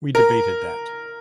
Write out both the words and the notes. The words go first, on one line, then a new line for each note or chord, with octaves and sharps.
We debated that.
A#4